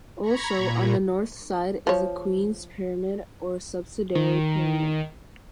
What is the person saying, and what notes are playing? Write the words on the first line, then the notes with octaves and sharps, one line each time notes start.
Also on the north side is the Queen's Pyramid or subsidiary pyramid.
A#5 B5 C#6 G#6
A#2
F3 C#5
D#3